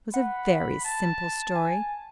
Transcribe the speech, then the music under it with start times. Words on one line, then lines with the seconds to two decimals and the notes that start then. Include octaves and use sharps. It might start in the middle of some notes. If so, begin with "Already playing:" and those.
It was a very simple story.
0.14 F#5 B5
0.85 A5
1.55 G#5